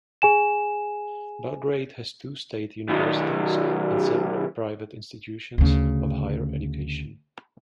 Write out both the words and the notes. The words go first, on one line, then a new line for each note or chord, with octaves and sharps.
Belgrade has two state universities and several private institutions of higher education.
G#4 G#5 E7
B1 D#3
D2 C#3